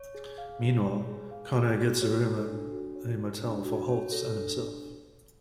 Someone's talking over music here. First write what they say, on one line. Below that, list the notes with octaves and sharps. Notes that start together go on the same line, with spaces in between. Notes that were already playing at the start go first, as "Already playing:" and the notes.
Meanwhile, Connor gets a room at a motel for Holtz and himself.
Already playing: C#5
G#4
F5
G#4
C#5
G#4
F5
G#4
F#4
C#5
A4
D4
F#4
C#5
A4
D4
F#4
C#5
A4
D4